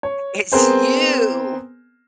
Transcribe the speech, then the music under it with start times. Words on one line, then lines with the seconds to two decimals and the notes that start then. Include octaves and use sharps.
it's you
0.03 C#5
0.52 B3 C4 G#4 A#4 C5 G#5